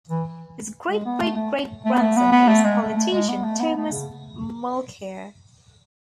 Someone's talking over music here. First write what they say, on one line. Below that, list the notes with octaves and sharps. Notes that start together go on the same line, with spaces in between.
His great-great-great-grandson is politician Thomas Mulcair.
E3
G#3
B3
A3
A3
A3
B3
A3
B3
B3
A3
G#3
A3
A3
G#3
B3
A3
B3
A3
C#3